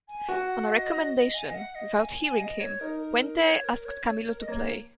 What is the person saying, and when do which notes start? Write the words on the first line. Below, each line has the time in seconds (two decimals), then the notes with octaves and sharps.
On a recommendation, without hearing him, Puente asked Camilo to play.
0.08 G#5
0.29 F#4 F#5
0.71 D#5
1.14 D#5
1.34 G#5
1.46 D#5
1.54 F#5
1.75 D#5
1.97 G#5
2.18 G#5
2.39 D#5
2.60 C#5
2.80 D#4 A#4
3.02 A#4
3.22 A#4
3.43 C#5
3.64 A#4
3.86 C#5
4.07 C#5
4.27 A#4
4.41 D#5
4.48 A#3 C#5